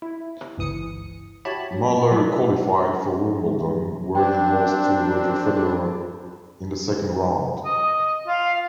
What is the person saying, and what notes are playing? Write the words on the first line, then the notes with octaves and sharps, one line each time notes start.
Muller qualified for Wimbledon where he lost to Roger Federer in the second round.
E4
G1 C#2 E3 D#6 C#7
E4 F#4 G4 C#5 A5 B5
F#3
F#3 B4 D5 E5
C4 D4 G5
D#5
F4 F5